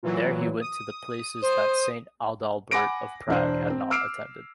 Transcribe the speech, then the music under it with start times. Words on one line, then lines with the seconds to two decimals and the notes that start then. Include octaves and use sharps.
There he went to the places that Saint Adalbert of Prague had attended.
0.03 A#2 E3 F#3
0.61 D#6
1.42 C5
2.71 F#5 G#5 B5 D6 A#6 D7
3.28 E1 D4 C5
3.70 C4
3.91 D6 E6 F6 C7 D7